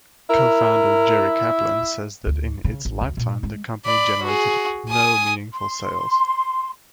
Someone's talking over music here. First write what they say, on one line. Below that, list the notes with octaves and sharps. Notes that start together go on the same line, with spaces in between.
Co-founder Jerry Kaplan says that in its lifetime, the company generated "no meaningful sales".
E4 A#4
D2
C#3
A1
D2
A#2
G#3
D5 B5
F#4 G#4
G#5 D#6
C6